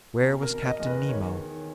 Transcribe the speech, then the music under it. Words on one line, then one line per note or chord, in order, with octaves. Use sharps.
Where was Captain Nemo?
B2
A#4
B2
D#5
E2
B4
D#3 C#5
D#3